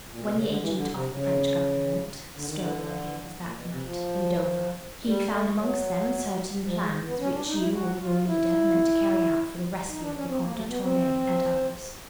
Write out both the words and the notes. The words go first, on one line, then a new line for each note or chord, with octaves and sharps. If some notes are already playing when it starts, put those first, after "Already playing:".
When the agent of the French Government stole your papers that night in Dover, he found amongst them certain plans, which you or your leader meant to carry out for the rescue of the Comte de Tournay and others.
A#2
B2
C#3
D3
E3
D3
C3
C#3
D3
D#3
D3
A#2
B2
C3
F3
G3
A3
F#3
F3
G#3
B3
C#4
D4
D#4
E4
F#4
F4
E4
D#4
D4
C#4
C4
A#3
A3
B3
C4